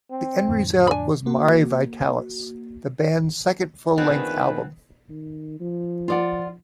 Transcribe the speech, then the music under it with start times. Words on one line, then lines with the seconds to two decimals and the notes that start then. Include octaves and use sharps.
The end result was "Mare Vitalis", the band's second full-length album.
0.11 C4
0.48 F2 A2 D3
0.87 D4 G#5 B5
1.26 A#3 F#4
3.98 D2 D#3 F3 B3 C4 D4 G#4 B4
5.10 D#3
5.60 F3
6.08 F4 D5 F#5